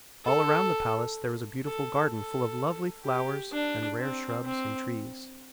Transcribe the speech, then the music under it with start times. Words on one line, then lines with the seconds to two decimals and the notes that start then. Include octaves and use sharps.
All around the palace there was a beautiful garden full of lovely flowers and rare shrubs and trees.
0.25 A4
1.65 A4
2.12 A4
3.05 G4
3.52 D4
3.98 C4
4.45 C4